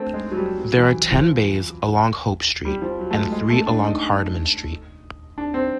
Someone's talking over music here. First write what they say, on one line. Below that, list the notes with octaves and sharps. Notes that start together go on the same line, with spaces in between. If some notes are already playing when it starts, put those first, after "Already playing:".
There are ten bays along Hope Street and three along Hardman Street.
Already playing: A3 C4 D4
G#3
F#3
G3
F#3
E3
F#3
F3
G3
F3
F#3
A3
G#3
G#3
A3
D4
D#4
D4
C4